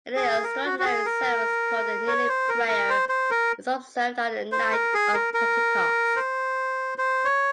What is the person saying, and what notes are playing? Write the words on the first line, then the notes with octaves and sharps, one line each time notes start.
An extraordinary service called the Kneeling Prayer, is observed on the night of Pentecost.
G#4
A#4
F#4
F#4
G#4
A#4
C#5
C5
A#4
A#4
C5
C5
A#4
C5
A#4
G#4
A#4
A#4
C5
C5
C#5